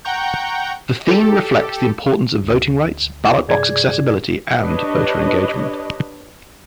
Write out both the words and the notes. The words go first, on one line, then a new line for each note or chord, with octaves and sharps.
The theme reflects the importance of voting rights, ballot box accessibility and voter engagement.
F#5 G5 A#5 C#6 G6
G4 A4
D2
G2 C3 G#4 D5 G#6
D4 G4 B4 C#5 D#5